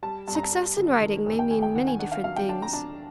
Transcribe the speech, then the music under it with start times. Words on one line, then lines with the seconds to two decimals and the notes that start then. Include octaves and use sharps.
Success in writing may mean many different things.
0.03 G3 A5
0.28 G2 A5
0.35 A#5
0.43 A5
0.52 G3
0.76 D3
1.01 D#3
1.26 F1
1.39 G5
1.51 D#2 G#5
1.62 G5
1.75 D#3 F#5
1.87 G#5
1.99 D4 F#5
2.12 F5
2.24 F#3 F5
2.36 G5
2.49 D4 A5
2.62 A#5
2.73 D4 A5